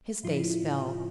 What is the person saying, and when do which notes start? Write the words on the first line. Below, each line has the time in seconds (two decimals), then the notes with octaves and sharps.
His face fell.
0.23 A2 F3 F4
0.30 E4
0.37 F4